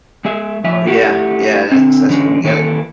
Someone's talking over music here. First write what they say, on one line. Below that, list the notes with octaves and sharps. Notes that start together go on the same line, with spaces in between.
Oh, yeah. Yeah, that's that's what you gotta
G#3 G#4 E5
F3 E5
A3 E4 F#4 G4
D3 C4
D3 E3 G#3 C#4
D#3 E3 A#3 A4